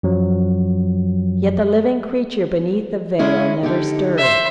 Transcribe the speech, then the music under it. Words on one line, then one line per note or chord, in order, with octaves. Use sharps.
Yet the living creature beneath the veil never stirred.
F#2 F3 F#3
G#3 C#4 E4
D3 D#4 G4
C5 E5